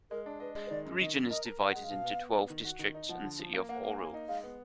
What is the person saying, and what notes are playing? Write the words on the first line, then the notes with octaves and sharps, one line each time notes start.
The region is divided into twelve districts and the city of Oral.
G#3 A#4
D4
B4 D#5
G#3
B4
D#3 D5
F#2
D#3 D#5
F#2
A#4 D#5
A#4
A#4 F5
G#3 F#5
F5
B2
B3
B3
B3
D#3
F#4
D#3
D#4
F3 F#5
D3
F3
A#3
A#3 F#5
A#3 F#5
A#3 G#5
D#4
G#3 F5
B3